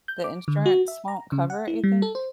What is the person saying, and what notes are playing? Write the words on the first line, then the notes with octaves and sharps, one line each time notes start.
The insurance won't cover it, you think?
G6
D6
D3
F#4
E5
A#5
C#3
F#5
E4
G3
A4
C5